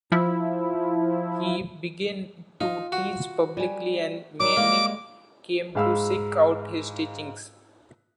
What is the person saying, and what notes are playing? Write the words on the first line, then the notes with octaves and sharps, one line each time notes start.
He began to teach publicly, and many came to seek out his teachings.
F3 E4
D#4 F4
F#4
G3 G#5
F#3 G3 D6
G3 G#3 A#3
G#2 G#3 F5 B5 E6